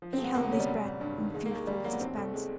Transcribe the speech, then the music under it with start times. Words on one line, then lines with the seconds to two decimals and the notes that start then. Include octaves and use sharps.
He held his breath in fearful suspense.
0.02 F3
0.13 C4
0.18 E1
0.24 B3
0.35 D2 A#3
0.43 B3
0.51 C3 C#4
0.60 G3
0.68 F#3
0.85 A1
1.01 G2
1.18 D#3
1.34 D#2 G#3
1.45 A#3
1.51 D#2
1.57 G#3
1.67 D#3 G3
1.76 G#3
1.84 F#3 A#3
1.92 B3
2.00 C2 C4
2.17 C2 A3
2.34 C3 G#3